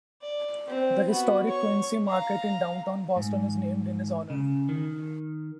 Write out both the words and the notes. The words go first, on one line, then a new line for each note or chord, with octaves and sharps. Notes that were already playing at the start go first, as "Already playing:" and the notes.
The historic Quincy Market in downtown Boston is named in his honor.
D5
C4
B3 F#4
C#5 C#6
F5 A#5
G#2
C#3
D#3